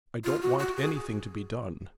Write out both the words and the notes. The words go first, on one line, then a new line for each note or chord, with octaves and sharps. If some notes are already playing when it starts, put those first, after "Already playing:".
I don't want anything to be done.
F4
F#4
F#4
G#4